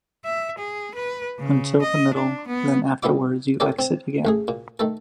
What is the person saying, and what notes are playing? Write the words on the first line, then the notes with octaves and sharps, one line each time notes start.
Until the middle, then afterwards you exit again.
E5
G#4
B4
C#3
D#5
D4
B3
B1 G3 B3 F4 E5 D6
A#3 C#4 G4 A4 D5
C4
A1 A3 G#4
A#2
D#3 A3 A4